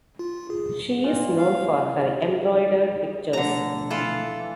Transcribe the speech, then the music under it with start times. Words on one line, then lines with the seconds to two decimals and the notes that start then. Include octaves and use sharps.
She is known for her embroidered pictures.
0.19 F4
0.50 G#4
1.04 A#2
1.38 F5
1.97 D#4 G4 G#4
3.33 B2 D3 F3 A3 A#5
3.90 E3 F4 A4